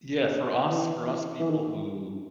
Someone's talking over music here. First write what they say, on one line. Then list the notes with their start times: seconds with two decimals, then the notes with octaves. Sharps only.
Yeah, for us for us people who
0.70 E3
1.40 E3
1.50 D#3